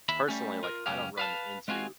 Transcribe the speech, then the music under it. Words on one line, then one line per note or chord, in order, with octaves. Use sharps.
personally, like, I don't run into,
D#2 E5 B5
G3 A3 C#4
F4 A#4
C#2 F#2 C#4 G4 F5
B4 F5 A5
G#3 C4 F4 F#4 G#4